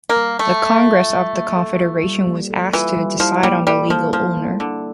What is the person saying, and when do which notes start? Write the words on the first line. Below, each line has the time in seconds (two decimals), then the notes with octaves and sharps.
The Congress of the Confederation was asked to decide on the legal owner.
0.09 A#3
0.16 G3
0.39 A3 A#3
0.63 A4
0.86 F4
1.10 G3
1.34 A#3
1.57 A4
1.80 F4
2.03 G3
2.27 A#3
2.50 A4
2.73 E3 F4
2.97 G3
3.20 F3 E4
3.43 G3 A#3
3.67 G3 A4
3.90 F3 A#3
4.13 F3 E4
4.37 A#3
4.60 D3 A4